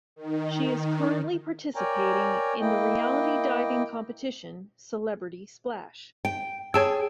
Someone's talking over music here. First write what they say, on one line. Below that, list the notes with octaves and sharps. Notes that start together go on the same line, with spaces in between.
She is currently participating in the reality diving competition Celebrity Splash!
D#3
A#4 C#5 D5 G5 G#5 A#5
A#3 E4 D#5 G5
G5
G#4 C#5 G5 A5 E6